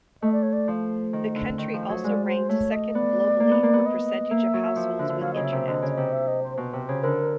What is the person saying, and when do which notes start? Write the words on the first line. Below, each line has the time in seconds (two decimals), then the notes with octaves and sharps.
The country also ranked second globally for percentage of households with internet.
0.22 A3 D#5
0.32 D5
0.43 C#5
0.53 D5
0.68 F3
1.13 D#3
1.35 D3
1.58 D#3
1.74 F3
1.89 F#3
2.04 G#3 D5
2.26 C5
2.49 A3 C#5
2.72 D#5
2.95 B3 D5
3.40 A#3
3.51 B3
3.63 A#3
3.73 B3
3.86 D#5
4.31 A#3 E5
4.54 F#3
4.76 F3
4.99 D3
5.10 D3
5.21 F#3 F5
5.34 C#3 D#5
5.44 E5
5.52 C3
5.67 D3 D#5
5.82 C#3
5.90 D#5
5.97 C3
6.12 E5
6.28 D#5
6.43 C5
6.57 B2 C5
6.73 C3
6.89 C#3
7.03 D3 A#4